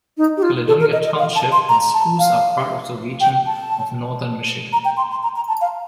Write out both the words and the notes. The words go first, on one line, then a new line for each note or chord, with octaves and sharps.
Caledonia Township and Spruce are part of the region of Northern Michigan.
D#4
G4
F4
A4
A#4
D#5
D#5
F5
A5
C6
A#5
A5
F5
G5
A5
A#5
G5
C6
C6
A#5
A#5
A5
F5